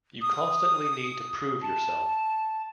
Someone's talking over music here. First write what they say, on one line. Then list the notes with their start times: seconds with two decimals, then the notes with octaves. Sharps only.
You constantly need to prove yourself.
0.22 D#6
1.62 A5